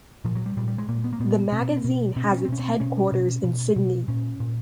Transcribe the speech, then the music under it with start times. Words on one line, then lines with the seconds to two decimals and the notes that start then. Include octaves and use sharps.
The magazine has its headquarters in Sydney.
0.25 A#2 F3
0.35 F#3
0.46 G3
0.57 A#2 G3
0.68 G3
0.78 G#3
0.88 A#2 A#3
1.04 B3
1.13 A#3
1.20 A#2 B3
1.52 B2 C4
1.84 B2
2.16 B2 C4
2.24 C#4
2.31 C4
2.37 C#4
2.45 C4
2.48 B2 C#4
2.60 C4
2.80 B2 C#4
3.12 B2
3.44 B2
3.76 B2
4.08 A#2 C#4
4.40 A#2